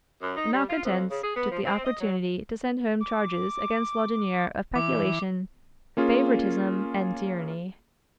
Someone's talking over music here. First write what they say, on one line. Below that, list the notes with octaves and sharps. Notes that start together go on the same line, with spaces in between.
The malcontents took the opportunity to send home charges against Laudonniere of peculation, favoritism, and tyranny.
F#2
D#4
G3
F4
F2
C#3
G#4
B3
F3
C4
D#5
F#3
D6
E3 D6
A#3 C#4 F4 G#4